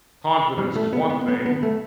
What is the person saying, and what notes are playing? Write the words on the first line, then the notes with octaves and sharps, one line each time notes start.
confidence is one thing,
C#3 E3 G3
A3
B3
B3
B3
B3
A3